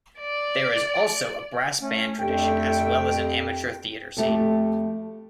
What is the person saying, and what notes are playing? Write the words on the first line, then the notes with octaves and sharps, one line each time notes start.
There is also a brass band tradition as well as an amateur theatre scene.
D5
A3 C#4
F2 A3 D4 G4 G5
F2 A3 G4